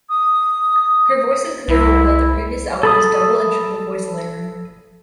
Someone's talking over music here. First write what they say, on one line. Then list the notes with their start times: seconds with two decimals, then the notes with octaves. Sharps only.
Her voice is clearer, without the previous album's double and triple voice layering.
0.09 D#6
1.68 C2 E4
2.83 A4 B5 D#6